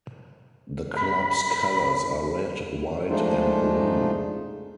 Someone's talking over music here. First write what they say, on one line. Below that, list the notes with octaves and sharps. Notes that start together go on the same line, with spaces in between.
The club's colors are red, white and blue.
B5
F3 G#3 A3 D4 D#4 F4